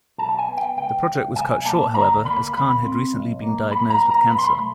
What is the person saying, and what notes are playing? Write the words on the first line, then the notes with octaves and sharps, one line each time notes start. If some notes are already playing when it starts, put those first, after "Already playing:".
The project was cut short, however, as Karn had recently been diagnosed with cancer.
B1 A5
A5
G#5
B3
G5
C#2 G5
C#2
B1 G#5
A#3 A5
D2 A#5
A#3 B5
D2 B5
C4
B1
A#3
F#2 B5
A#5
B3
A#5
B1 B5
C6
B5
A3